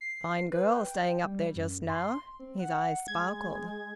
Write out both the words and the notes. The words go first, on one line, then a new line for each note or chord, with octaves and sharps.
"Fine girl staying up there just now!" His eyes sparkled.
C7
B4
G5
G3
F#2
C6
C4
F#5
G#3 G#6